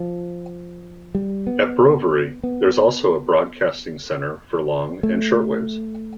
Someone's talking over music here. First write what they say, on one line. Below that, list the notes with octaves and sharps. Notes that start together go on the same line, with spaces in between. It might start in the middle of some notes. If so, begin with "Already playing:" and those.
At Brovary, there is also a broadcasting centre for long and shortwaves.
Already playing: F3
G3
B3
B3
A3